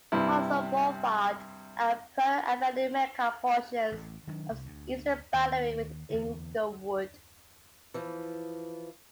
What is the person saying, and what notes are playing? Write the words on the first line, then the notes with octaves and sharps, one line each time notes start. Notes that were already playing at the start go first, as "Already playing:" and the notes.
Hawthorne Boulevard and Prairie Avenue make up portions of its eastern boundary with Inglewood.
G2 C3 E4
A1
D#3 F#3 D4
C2
D2
D#2
E2 D3
E3 F3